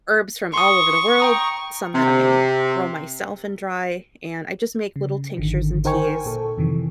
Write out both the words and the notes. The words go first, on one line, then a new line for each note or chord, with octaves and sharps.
herbs from all over the world, some that I grow myself and dry, and I just make little tinctures and teas,
C6 C#6 D#6
G5 A#5 D#6
C3
C#3
G#1 D3 D#3
D#4 A#4 C5 G5 G#5 C#6
A#2 A4
F2 C3 D#3 E3